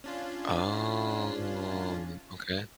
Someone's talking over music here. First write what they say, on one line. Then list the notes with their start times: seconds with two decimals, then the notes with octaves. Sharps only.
Oh, okay.
0.04 C#4 D4 F4